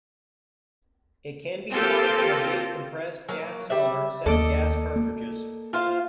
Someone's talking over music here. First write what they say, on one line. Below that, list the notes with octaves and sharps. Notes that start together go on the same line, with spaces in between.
It can be powered from a big compressed gas cylinder instead of gas cartridges.
A#3 C4 F4 G4 A4
F#3 A#3
G3 E5
D#2 G3 A#3 A4 D5 D#5
A#3
F4 C5 F5